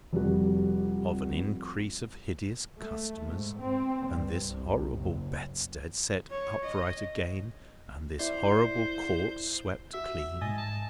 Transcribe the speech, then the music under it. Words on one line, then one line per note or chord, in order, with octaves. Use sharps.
Of an increase of hideous customers, and this horrible bedstead set upright again, and this horrible court swept clean?
F1 G3 F#4
A3
G#2
C4
G2
C2
F#1
C#5
D#5
E4 C5 D5
F#4 E5 E6
G#2 D#5 G#5 A6
A5